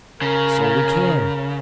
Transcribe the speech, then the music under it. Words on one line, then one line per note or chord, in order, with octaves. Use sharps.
So we can.
C#3 A#4